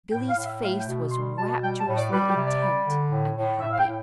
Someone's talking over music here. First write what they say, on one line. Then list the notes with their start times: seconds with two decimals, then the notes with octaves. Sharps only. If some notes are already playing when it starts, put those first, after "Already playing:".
Billy's face was rapturously intent and happy.
0.12 A2 G5
0.29 F5
0.38 A2
0.45 E5
0.61 A3 F5
0.79 G5
0.87 B2
1.11 G3 C6
1.37 B2 A5
1.50 A5
1.62 G3 G5
1.79 A5
1.87 A2
1.95 D5
2.11 G3 B4
2.29 G4
2.36 C3
2.45 D5
2.61 G3
2.86 D3
3.11 A2
3.36 A2
3.60 A2 E5
3.72 F5
3.78 G5
3.86 A2